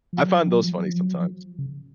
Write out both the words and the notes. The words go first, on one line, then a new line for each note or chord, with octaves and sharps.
I I find those funny sometimes.
F3
F#3
F3
F#3
F3
F#3
F3
F#3
F3
C#3